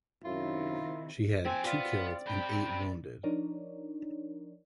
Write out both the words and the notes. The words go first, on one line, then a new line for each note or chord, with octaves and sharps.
She had two killed and eight wounded.
F#2 C3 D#3 E4 F4
F3 C4 G#5
B3 F4 D5
C3 G5 B5
F3 D4 D#4 A#4 C#5 D5